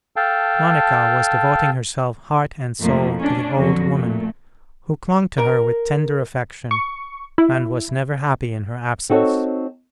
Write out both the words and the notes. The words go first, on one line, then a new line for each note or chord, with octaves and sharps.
Monica was devoting herself heart and soul to the old woman, who clung to her with tender affection, and was never happy in her absence.
A4 F5 G5 A5
F2 A#2 F3 A3 A#3 E4
C#4 D4
F2 D3 F#3 F#4
A#2 A3
A#4
C#6
E4
C4 D#4 F#4 A4 C#5